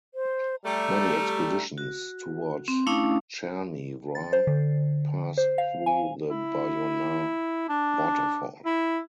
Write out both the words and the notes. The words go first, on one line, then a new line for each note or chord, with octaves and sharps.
Many expeditions toward Cherni Vrah pass through the Boyana Waterfall.
C5
G3 A3 A#5
F#4
C4
A3 C#4 D4 E4 F5 D#6
A6
C5
D3
C5
F5
G#5
E4
D4
E4